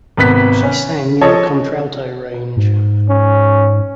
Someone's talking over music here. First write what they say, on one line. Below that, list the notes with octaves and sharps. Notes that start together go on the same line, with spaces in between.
She sang in the contralto range.
G#1 C3 B3 F#6 B6
C#4
F3 A4 C#5 D#5
G#2
C#4